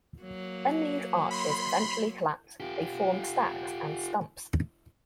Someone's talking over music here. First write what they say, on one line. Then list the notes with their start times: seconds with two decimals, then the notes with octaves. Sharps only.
When these arches eventually collapse, they form stacks and stumps.
0.22 F#3 A#3
1.31 B5 C6
2.60 F4 G4